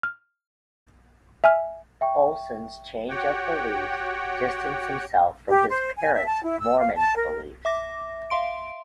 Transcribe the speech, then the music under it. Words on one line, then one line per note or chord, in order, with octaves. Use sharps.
Olson's change of beliefs distanced himself from his parents' Mormon beliefs.
F6
E5 G#5 F6
E5 G5 C#6
F#4 G4 C#5 F#5 G5
G4
C5
G#5
E5
A5
E4
E6
F5
A5
A#4
E5 D6 A#6
E5 F5 C6 D7